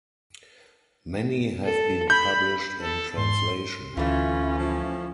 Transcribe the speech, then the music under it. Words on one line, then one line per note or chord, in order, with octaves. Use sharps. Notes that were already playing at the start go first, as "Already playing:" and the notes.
Many have been published in translation.
A4
B5 G6
A4
G#2 C6
D2 E3 A3 C#4 F4
F3